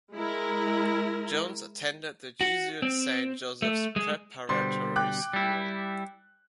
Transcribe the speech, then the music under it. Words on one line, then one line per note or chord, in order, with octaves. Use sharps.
Jones attended the Jesuit Saint Joseph's Preparatory School.
G#3 E4 A#4
F#4
C4
A3
G#3
B2 D3 G3 C5 C6
G5 D6 F#6
G3 E4